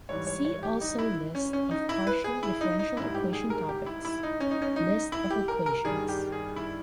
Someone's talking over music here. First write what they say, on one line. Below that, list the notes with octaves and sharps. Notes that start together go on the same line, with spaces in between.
See also list of partial differential equation topics, list of equations.
G#2 E3 G3 C#5
C#5
C#5
G4
D#4
E4
C#4
C#4
D#4
E4
B4
G#4
E4
D#4
D#4
G#2 D#3 G3 E4
G4
G#4
A#4
G4
E4
E4
D#4
C#4
D#4
C#4
D#4
E4
G4
A#4
A#4
G2 D#3 G3 G#4
G4
G#4
E4